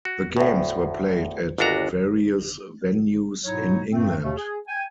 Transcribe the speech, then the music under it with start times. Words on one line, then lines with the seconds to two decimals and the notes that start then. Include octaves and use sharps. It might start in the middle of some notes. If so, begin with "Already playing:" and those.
The games were played at various venues in England.
0.05 F#4
0.37 D2 A2
1.58 G1 D#2 D4 F#4 A#5
3.45 G#2 B2 F#3 D#4 E4 C#5
3.92 G2 A3 C4
4.22 D#2 B2 A3
4.37 G#4
4.67 G5 G#5